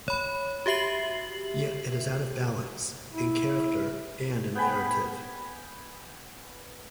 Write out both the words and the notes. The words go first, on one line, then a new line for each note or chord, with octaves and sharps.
Yet it is out of balance, in character and in narrative.
C#5 B5
F#4 G4 E5 C7 F#7
E4
B3 G5 G#5 B5